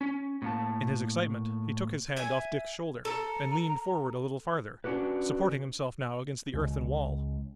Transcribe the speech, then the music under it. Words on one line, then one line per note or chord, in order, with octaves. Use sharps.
In his excitement he took his hand off Dick's shoulder and leaned forward a little farther, supporting himself now against the earthen wall.
C#4
A2 A#3 A5
E5 G#5
A4 A#5
C#4 D4 F#4 G4 B4
C#2